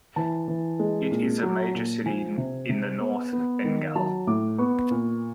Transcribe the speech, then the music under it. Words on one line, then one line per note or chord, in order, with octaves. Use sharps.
It is a major city in the north Bengal.
E3 A5
E3
G#3
A#2
F#3
A#2
F3 G#5
C3
C3
B3
B3
D#3
F#3 A5
A2 D6
B3 C#6
A#2